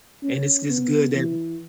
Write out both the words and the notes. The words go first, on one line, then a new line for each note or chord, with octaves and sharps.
And it's just good that
C#4
B3
E3